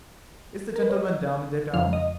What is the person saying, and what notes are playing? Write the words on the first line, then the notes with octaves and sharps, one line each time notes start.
"Is the gentleman down in the town?"
A#4
B4
C#5
D#5
F2 C#3 F3 F5
D#5